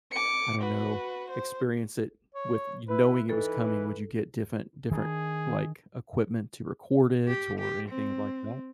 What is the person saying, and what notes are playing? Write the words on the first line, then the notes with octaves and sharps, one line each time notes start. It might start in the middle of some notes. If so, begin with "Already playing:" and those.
I don't know, experience it with you knowing it was coming, would you get different different like equipment to record it or anything uh like that?
D6 C#7
F#4 B4
C5
C#5
E4 B4
E3 D#4 A4 B4
D#3 D4 G#4
G4
G4
C4